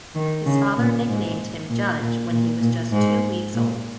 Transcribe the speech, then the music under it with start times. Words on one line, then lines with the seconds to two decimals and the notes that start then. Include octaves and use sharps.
His father nicknamed him "Judge" when he was just two weeks old.
0.15 D#3
0.46 C#3
0.77 A#2
1.08 G#2
1.69 A#2
1.99 A#2
2.31 A#2
2.61 A#2
2.92 G#2
3.54 A#2